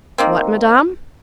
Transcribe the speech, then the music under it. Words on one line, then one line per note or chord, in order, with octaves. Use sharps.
"What, madame?"
D#3 A#3 C4